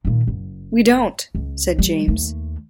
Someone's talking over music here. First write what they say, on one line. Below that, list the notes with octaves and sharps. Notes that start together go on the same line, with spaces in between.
"We don't," said James.
A#2 D#3
F#1
C#2
G3
D#2 A3